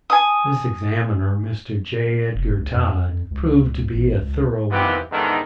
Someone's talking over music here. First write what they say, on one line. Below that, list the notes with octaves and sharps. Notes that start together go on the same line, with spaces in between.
This examiner, Mr. J. Edgar Todd, proved to be a thorough one.
G#5 D#6
F1
C#2
F2
C#2
A1
C#2
C3 D#3 E3 B3 F4 G4
E2 G#2 D3 D#3